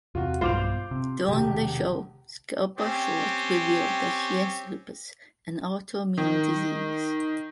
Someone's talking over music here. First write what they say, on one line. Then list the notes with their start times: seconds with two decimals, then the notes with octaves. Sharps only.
During the show, Scelba-Shorte revealed that she has lupus, an autoimmune disease.
0.15 E2 C3 F4 F#4
0.41 B1 G2 B2 F4 C5 C6 D6 F7
0.91 C3
1.29 E1 C3 D#3 G4
2.77 C4 C#4 G4
6.17 D#3